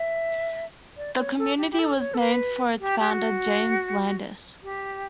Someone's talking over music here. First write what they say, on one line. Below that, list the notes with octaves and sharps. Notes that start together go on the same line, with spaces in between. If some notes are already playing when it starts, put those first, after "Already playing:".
The community was named for its founder, James Landis.
Already playing: E5
D5
C#5
A4
G4
G4
A4
C#5
A4
B4
G4
G4
F#4
G4